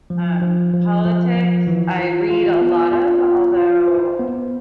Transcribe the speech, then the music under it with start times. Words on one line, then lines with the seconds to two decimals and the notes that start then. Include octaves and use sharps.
Um, politics I read a lot of, although
0.10 F3
0.41 F3
0.73 F3
1.05 F3
1.36 F3
1.67 E3
1.99 F4
2.30 F4
2.61 B3
2.93 F4
3.24 F4
3.57 F4
3.88 C5
4.20 B3